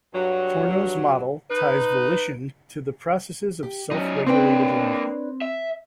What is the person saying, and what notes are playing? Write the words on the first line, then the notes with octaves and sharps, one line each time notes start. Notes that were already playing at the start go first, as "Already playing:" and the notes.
Corno's model ties volition to the processes of self-regulated learning.
G2 F#3
D#4 B4
G4
F#3 C#4 D#4
A#3 C4 D4 B4 C#5 G5
E5